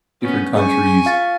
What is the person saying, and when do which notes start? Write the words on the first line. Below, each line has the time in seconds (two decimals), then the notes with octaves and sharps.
different countries,
0.22 B3 C#4
0.56 C#4 G#4 G#5 C#6
1.05 F4 F5 A6